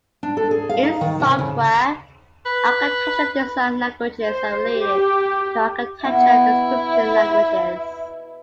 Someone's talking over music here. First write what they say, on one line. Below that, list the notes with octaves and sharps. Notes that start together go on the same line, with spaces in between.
In software architecture, design languages are related to architecture description languages.
D4
A4
G#4
F5
D#4
D#3
C3
C#3
B4
C5
G4
B2 E4